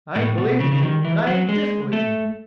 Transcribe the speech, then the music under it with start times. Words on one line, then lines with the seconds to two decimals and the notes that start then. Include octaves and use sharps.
I ain't believing you and I ain't disbelieving you.
0.16 A2
0.38 B2
0.60 C#3
0.72 C#3
0.83 D#3
1.05 E3
1.27 F#3
1.49 G#3
1.93 A3